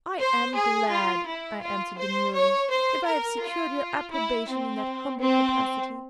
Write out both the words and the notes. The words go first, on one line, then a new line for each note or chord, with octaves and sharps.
'I am glad,' I answered demurely, 'if I have secured your approbation in that humble capacity.
C5
G#4
F4
E4
F4
C5
C#5
C5
A#4
F4
E4
C4
C4